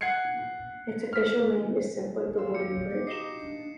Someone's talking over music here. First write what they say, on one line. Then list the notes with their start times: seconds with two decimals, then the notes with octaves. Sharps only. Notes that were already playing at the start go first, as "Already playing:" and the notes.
Its official name is simply the Wooden Bridge.
0.01 F#5 F#6 G#6 C7 C#7
1.13 F6 B6
2.38 C#5 F5 C6 E6
2.55 G4 C#7
2.89 B3
3.07 D#4 F#4 D#5 C7 E7
3.39 D4